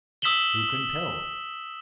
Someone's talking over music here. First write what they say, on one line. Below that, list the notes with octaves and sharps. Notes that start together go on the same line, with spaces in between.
Who can tell?
D#6 E6 B6 E7 F#7 G7